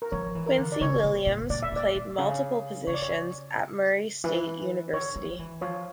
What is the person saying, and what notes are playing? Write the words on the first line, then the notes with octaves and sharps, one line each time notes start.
Quincy Williams played multiple positions at Murray State University.
A#4
F3 C#5
E3
A#4
D3
D5
C#3 C#5
A#2
A#2
A#2 D5
E5
A#2 D5
A#2
C#3
C#3 C#5
D5
C#5
E3
D3 C#5
F3
E3
F3 C#5